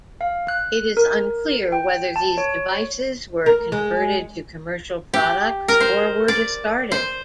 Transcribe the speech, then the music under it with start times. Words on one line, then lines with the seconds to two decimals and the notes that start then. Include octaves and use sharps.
It is unclear whether these devices were converted to commercial products or were discarded.
0.21 F5
0.48 F#6
0.97 A#4
1.72 G5
2.16 A5
2.38 C#5
3.46 A#4
3.72 G#3
5.14 G4
5.68 A#4
5.80 C5
6.28 D5
6.92 C5